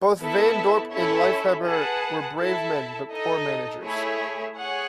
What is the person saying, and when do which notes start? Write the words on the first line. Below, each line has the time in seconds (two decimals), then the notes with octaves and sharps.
Both Van Dorp and Liefhebber were brave men but poor managers.
0.20 B3 E4 A4 E5 A5
0.93 C#4 E4 A4 C#5 E5
1.65 G#4 B4 F#5 A5
2.38 E4 A4 E5 A5
3.11 D#4 A4 D#5
3.83 A3 E4 G#4 C#5 E5
4.55 G#4 C#5 F#5